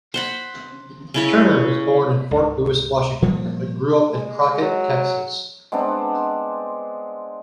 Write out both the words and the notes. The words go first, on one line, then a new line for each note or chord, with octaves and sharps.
Turner was born in Fort Lewis, Washington, but grew up in Crockett, Texas.
C5 F#5 B5
C#3 E4 C#5
C#2 G#2
A#2 F3 G3 A#3
G#3
F#3
G#3 B3 C4 D4